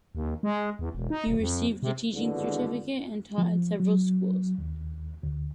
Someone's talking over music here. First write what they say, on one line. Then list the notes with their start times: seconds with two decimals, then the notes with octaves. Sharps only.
He received a teaching certificate and taught at several schools.
0.15 D#2
0.43 G#3
0.79 E2
0.95 E1
1.10 D#4
1.27 D#1
1.40 F2
1.83 C3
2.12 G#1 E2 G2 B2 D3
3.38 F3
3.80 F#3
4.58 D#2
5.23 D2